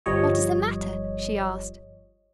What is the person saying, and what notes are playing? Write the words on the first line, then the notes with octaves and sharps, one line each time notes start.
"What is the matter?" she asked.
G1 F3 G3 C#5 D#5